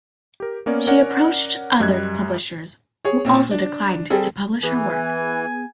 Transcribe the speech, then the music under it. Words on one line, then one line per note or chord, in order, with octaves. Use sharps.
She approached other publishers, who also declined to publish her work.
G4 A#4
A#3 B3 C#4 A#4 C#5 D5
C#4 A#4 C#5 D5 F#5
F#2 G3 D#5 F#6 G#6
G#4 C#5
A#2 C4 C#4
D4
G3 C4 G#4 A4
E3 B3 G#4 G#5